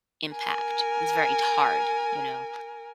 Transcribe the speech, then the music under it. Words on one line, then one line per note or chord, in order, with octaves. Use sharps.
impact, it's very d hard, you know?
A#4 G#5